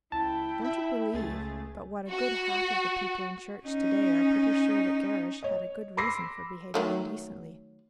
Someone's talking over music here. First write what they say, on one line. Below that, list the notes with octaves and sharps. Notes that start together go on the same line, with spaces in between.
Don't you believe but what a good half of the people in church to-day are pretty sure that Gerrish had a good reason for behaving indecently.
C#2 E4 G5 A5
E5 B5
C#2 A3 G#4 A6
F#4
C#4 D#4
C#5 D#5
B5 C6 D6 E6 A#6 C7
D#3 F#3 A3